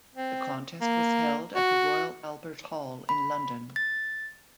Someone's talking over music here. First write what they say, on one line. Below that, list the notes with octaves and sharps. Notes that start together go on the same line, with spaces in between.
The contest was held at the Royal Albert Hall in London.
C4
A#3
F#4
B5
A6